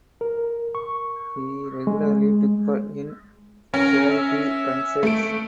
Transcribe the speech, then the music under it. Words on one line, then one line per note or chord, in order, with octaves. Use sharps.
He regularly took part in charity concerts.
A#4
C#6
G#3
C#4 A#4
E5
A3 D7